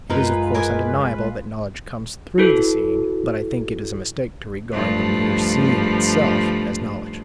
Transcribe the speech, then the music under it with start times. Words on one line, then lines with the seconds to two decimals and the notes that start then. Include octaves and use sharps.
It is of course undeniable that knowledge comes THROUGH the seeing, but I think it is a mistake to regard the mere seeing itself as knowledge.
0.10 F#2 G#3 D#4 F4 A#4 B4
0.55 A#4 G#5 D6
2.38 E4 F#4 A4 B4
4.71 G2 F3 A3